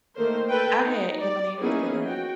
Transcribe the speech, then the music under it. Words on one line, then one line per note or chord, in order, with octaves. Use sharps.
I had M&M's today.
D#3 A3 A#3 A#4 C5
A4 B4 G5
D#4
D5
A#3 B3 C#4 D#4 E4 G#4
F#4 G5